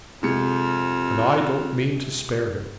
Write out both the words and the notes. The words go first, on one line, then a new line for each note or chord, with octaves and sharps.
"And I don't mean to spare him."
F2 C3 G#3 C#7